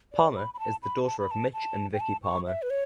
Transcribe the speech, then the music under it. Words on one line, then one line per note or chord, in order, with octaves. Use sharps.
Palmer is the daughter of Mitch and Vicki Palmer.
D5
B5
B5
A5
B5
A5
B5
A5
A5
G5
A5
C#6
E5
B4
C#5